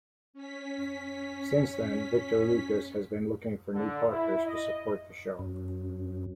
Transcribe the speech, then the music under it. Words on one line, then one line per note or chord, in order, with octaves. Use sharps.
Since then, Victor Lucas has been looking for new partners to support the show.
C#4 B6
D3
E4
D#5
F#2